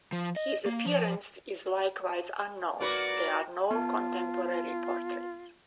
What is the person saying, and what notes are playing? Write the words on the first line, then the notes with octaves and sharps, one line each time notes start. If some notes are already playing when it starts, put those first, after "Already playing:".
His appearance is likewise unknown: there are no contemporary portraits.
F3
D#5
A#3
F3
A#3 F#4 B4 D5
B3 F4 A5